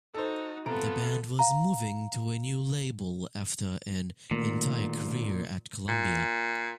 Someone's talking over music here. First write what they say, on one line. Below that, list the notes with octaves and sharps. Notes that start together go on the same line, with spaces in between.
The band was moving to a new label after an entire career at Columbia.
D#4 F#4 A4 C5
C3 B3 F4 A4 A#5 D7
F5 A#5
A#2 D#3 A3 A#3
A#2